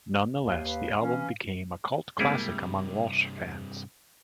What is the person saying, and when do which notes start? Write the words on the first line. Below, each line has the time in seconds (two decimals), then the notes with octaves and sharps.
Nonetheless, the album became a cult classic among Walsh fans.
0.45 D#2 F5
0.64 B4
1.00 E3 C#4
2.19 G2 C3 G3 G#3 A#3 C4 E4 G#4